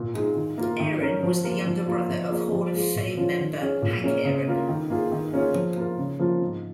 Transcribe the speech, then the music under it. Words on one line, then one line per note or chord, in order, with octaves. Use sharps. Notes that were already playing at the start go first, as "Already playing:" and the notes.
Aaron was the younger brother of Hall of Fame member, Hank Aaron.
Already playing: A#2
G#3 D#4 G#4
D#3
A#3 F4 A#4
D#3
C#4 A#4
F3
A#3 F4 A#4
F3
A#3 F4
F3
A#3 F4 G#4
F3
G#3 F4 G#4
A#2
F3 C#4 F4
D#3
C#4 G#4
A#2
A#3 C#4 G#4
C#3
A#3 F4 A#4
D#3
A#3 F4 G#4
D#3
A#3 C#4 F4 G#4
F3
A#3 F4 A#4
C#3
F3 A#3 F4
G#2